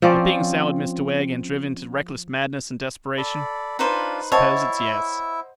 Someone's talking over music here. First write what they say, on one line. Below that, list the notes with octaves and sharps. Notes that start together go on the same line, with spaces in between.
But being soured, Mr Wegg, and driven to reckless madness and desperation, I suppose it's Yes.'
F3 C4 C#4 D5
A4 D5 B5
D4 D#4 F4 B4 C5
E4 C5 C#5 D#5 E5 F#5 A5